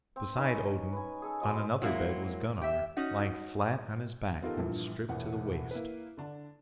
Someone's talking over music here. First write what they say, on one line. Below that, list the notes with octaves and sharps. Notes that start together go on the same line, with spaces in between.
Beside Odin on another bed was Gunnar, lying flat on his back and stripped to the waist.
C4
C#4 D#4 B4 D#5
B4 G#5
G#4 A4 E6
F#3 G#3 B3 D#5
F#3 G#3 A#3 C4 E4
G4 E5
C#4 D#4 F#4
B3 D#4 F4 G4 A4 A#4
A#1 G2 A#2 E3
E1 E2 A2 F#5
A#3 E4 B4
D3 D4